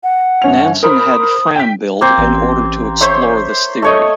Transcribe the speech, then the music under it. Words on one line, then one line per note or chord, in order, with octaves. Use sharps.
Nansen had "Fram" built in order to explore this theory.
F#5
G1 C#4 F7
A#4 C5 B5 D#6
G5 B6
A#3 C4 C5
A1
C5 C#5 E5
A3 C#5 D#5